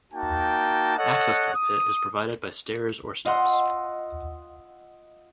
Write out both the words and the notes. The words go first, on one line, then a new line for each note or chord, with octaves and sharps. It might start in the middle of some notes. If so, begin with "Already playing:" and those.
Access to the pit is provided by stairs or steps.
A#3 D#4 F#4 G5 A5
A4 C#5 D#5 F#5
D#6
F4 D#5 F#5 C6 E6